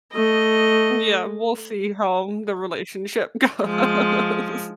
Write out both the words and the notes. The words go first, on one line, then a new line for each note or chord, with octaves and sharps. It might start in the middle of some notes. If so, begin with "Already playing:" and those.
Yeah, we'll see how the relationship goes.
A3 D#5
F3 G#3